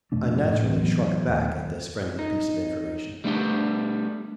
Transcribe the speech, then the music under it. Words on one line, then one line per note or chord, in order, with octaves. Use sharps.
I naturally shrunk back at this friendly piece of information.
F2 C3 A3 D4
A2 A3
A1 D2 B3 C4
E2 F#3 B3
D#1 D#2 A3
D#4
G3 A3 B3 D4 D#4 G4